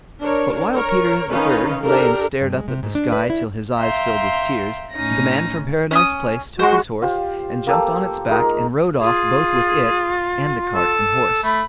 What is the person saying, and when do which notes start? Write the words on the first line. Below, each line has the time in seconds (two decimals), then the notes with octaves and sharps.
But while Peter the third lay and stared up at the sky till his eyes filled with tears, the man from Paradise Place took his horse and jumped on its back and rode off both with it and the cart and horse.
0.21 D4 A#4 C#5
0.73 A#4 C#5
1.31 D#3 C#4 D#4 B4 F5
1.83 D4 G4 A4 A#4
2.41 G2
2.54 G#3
2.68 C3
2.83 G#2
2.95 D4
3.12 B4
3.30 E4
3.79 E5 F5 G5 A#5 C6
4.93 A2 C#4 D#4 A#6
5.91 C#4 B5 D#6
6.59 G#3 F#4 C5 C6
7.02 F4 G4 C5
7.67 A#3 G4 A4
8.29 G#3 D#4 F4 A#4
9.01 F4 G#4
10.75 A4
11.44 A3 B5